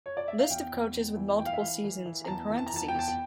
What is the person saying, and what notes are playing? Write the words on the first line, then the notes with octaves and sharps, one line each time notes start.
List of coaches with multiple seasons in parentheses.
C#5
D5
E5
F5
E2 G5
E2
E2
E3
E3 G5
F5
E5
E3 F5
E3
E3
A#5
E2 A5
E3
A5
A#5
E2 A5
G5
E2 A5
G5